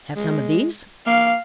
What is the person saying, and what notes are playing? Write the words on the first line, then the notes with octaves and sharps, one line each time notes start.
"Have some of these?"
G#3
A#3 F5